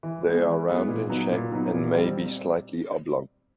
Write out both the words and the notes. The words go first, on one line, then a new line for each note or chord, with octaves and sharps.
They are round in shape and may be slightly oblong.
E3
G#3 B3
E3
G#3 B3
A#2
F#3 B3 D#4
A#2
F#3 B3 D#4
A#2
G3 C4